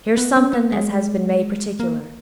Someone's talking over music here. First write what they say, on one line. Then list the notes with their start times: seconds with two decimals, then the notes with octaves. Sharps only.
Here's somethin' as has been made particular.
0.17 B3
0.36 C#4
0.53 B3
0.72 G#3
1.80 A#3